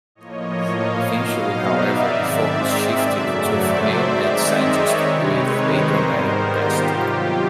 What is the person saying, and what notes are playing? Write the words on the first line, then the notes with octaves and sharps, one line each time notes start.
Eventually, however, the focus shifted to a female mad scientist with a dramatic past.
A2 F3 A#3 C#5 D#5
D#5 F5
B2 F#3 B3 D#4 D#5 F5
D5 E5
G#2 D#3 G#3 C4 D5 E5
F#2 C#3 F#3 A3
C5 D5
D#3 G#3 C4 D#4 D5 E5
C#5 D#5
C3 D#3 G#3 C4 D#4 B4 C#5
A#4 C5
G#2 D#3 G3 B3 D#4 A#4 C5
F4 G4
C3 D#3 F#3